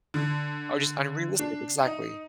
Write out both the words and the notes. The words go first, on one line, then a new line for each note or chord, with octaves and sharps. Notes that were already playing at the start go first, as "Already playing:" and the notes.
Oh, just unrealistic exactly.
D3
D4
D#4